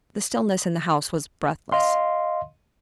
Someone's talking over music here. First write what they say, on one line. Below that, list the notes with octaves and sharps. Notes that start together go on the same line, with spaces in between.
The stillness in the house was breathless.
D#5 F5 C6